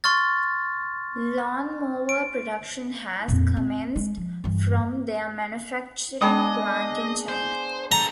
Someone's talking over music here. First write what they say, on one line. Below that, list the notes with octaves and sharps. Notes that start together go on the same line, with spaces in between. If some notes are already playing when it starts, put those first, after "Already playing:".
Lawnmower production has commenced from their manufacturing plant in China.
C6 C#6 F6 A6
D7
F2 A#2
C4
G#3
F3
G2 E3
G#3 B3 D4 G#4 D#5 G5 B5
C5
G3 A4 A#5